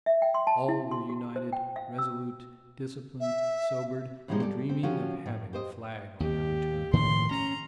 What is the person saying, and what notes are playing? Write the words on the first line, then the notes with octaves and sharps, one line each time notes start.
All were united, resolute, disciplined, sobered, and dreaming of having a flag on their return.
E5
G5
C6
A5
E4
C6
F#4
C5
G5
F5
E6
E5
A2 E3 F3 G3 G#3 D#4
G3 A4 D5
C4
F3 C#4 F#4 G4
A2
G4 C5 D#5
D#2 G4
A2 D#3 F3 C6
C#4 A#5